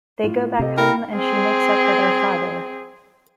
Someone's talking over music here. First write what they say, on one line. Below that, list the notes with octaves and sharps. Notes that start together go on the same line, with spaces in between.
They go back home and she makes up with her father.
A2 F4
C3 G4 A4 D#5
E4 A#4 G5 B5
C4 G#4